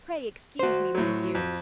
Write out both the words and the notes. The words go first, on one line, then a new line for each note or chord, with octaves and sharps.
Pray excuse me, my dear.
F#4 C5
A2 F#3
F2